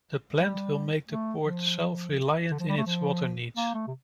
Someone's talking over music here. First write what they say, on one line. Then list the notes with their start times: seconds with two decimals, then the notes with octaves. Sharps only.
The plant will make the port self-reliant in its water needs.
0.38 G3
1.09 A3
1.44 F3
2.51 D3
2.60 F3
2.68 G3
2.77 A3
2.86 F3
3.57 A#3
3.74 A3
3.87 C3